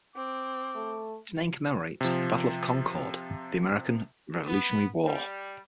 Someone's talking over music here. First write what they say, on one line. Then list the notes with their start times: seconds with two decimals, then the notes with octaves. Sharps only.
Its name commemorates the Battle of Concord of the American Revolutionary War.
0.16 C4 D6
0.75 A3
2.01 C3 F3
4.46 B3
5.06 G3